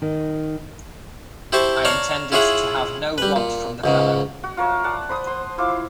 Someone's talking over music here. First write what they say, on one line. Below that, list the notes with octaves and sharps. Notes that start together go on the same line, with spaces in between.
I intended to have no rot from the fellow.
D#3
E4 G4 C5 A5 C#6
C#5 D5 F5 A5 A#5
E4 F4 G#4 C#5 E5 F#5
G3 B4
A#2
C#2 G#2 C#3
F#4
F4 A#4 C#5 E5
D5 F#5 A5
C5 B5 D#6
C5 C6
E4 F4 C5 D6